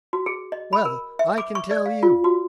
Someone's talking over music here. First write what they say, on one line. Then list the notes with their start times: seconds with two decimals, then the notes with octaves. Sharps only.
Well, I can tell you.
0.13 F#4
0.26 G#4
0.52 D#5
0.73 B5
0.85 A#4
1.19 E5
1.38 D6
1.55 C#6
1.71 D5
1.86 F5
2.03 F4
2.24 F#4